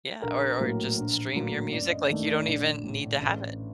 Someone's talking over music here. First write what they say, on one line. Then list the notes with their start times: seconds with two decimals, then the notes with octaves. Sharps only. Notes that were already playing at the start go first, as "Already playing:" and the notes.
Yeah, or or just stream your music like you don't even need to have it.
0.22 A#1 A#4
0.60 A2 F#3 A#3
0.97 A#1
1.34 A2 F#3 A#3
1.72 F#2 D5
1.90 D#5
2.09 D#3 A3 D5
2.28 D5
2.46 A#1 D5
2.84 A2 A3
3.21 A1